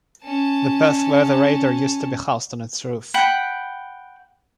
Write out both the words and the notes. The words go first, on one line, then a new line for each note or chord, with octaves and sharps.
The Perth weather radar used to be housed on its roof.
C#4 A5
F#5 G5 B5